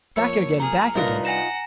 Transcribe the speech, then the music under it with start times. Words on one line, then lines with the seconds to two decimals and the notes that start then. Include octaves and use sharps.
'Back again! back again!
0.16 F2 A#3 C#5 E6 C#7
0.60 G#4 A#5 F6
0.95 C2 D4 D#4 F4 A#4 B4 D#5
1.25 F#5 G#5 A#6 E7